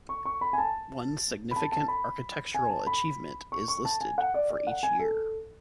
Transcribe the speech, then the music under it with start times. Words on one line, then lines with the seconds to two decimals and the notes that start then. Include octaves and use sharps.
One significant architectural achievement is listed for each year.
0.09 C#6
0.26 C#6
0.41 B5
0.53 G#5
0.58 A5
1.51 B5
1.56 A5
1.72 A5
1.88 B5
2.54 G#5
2.70 A5
2.87 B5
3.52 C#6
3.68 C#6
3.85 A5
4.01 G#5
4.18 F#5
4.34 D5
4.50 D5
4.67 F#5
4.83 G#5
4.99 A4